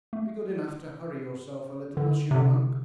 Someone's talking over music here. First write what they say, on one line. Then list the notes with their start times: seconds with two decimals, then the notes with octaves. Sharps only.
"Be good enough to hurry yourself a little, monsieur monk."
0.13 A3
1.97 D3
2.31 C3
2.36 D3